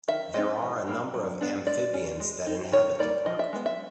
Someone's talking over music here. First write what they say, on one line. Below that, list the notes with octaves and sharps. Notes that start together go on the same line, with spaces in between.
There are a number of Amphibians that inhabit the park.
D#3 E5
G#3 C4 D#4 D#5
E3
G3 A#3
F#3
B3 D4
G#3 D5
C#4
G#3
C4 D#4
D#3 C#5
G3 A#3 D#4 D5
F3 D#5
E5
G#3 B3
E5